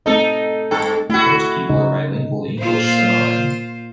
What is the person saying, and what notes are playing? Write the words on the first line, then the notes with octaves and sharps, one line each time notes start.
Most people are bilingual English/Samoan.
A3 C4 D#4 A4 D#5
G2 A4
A3 E4 F#4
C#3 D#4
A#2 F4 C5